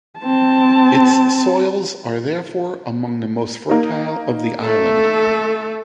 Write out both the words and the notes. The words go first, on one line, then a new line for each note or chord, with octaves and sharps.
Its soils are therefore among the most fertile of the island.
C4 A5
A#3 D#4
A3 A4